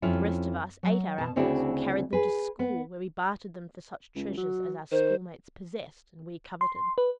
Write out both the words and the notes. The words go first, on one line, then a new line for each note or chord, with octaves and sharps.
The rest of us ate our apples, or carried them to school where we bartered them for such treasures as our schoolmates possessed and we coveted.
F2 C#4 E4 F4
F#3
B2 A5
D2 C#3 C4 D4 E4 F#4
G#4 B4
B3
C#2
F#3
D#3 C5
C6
B4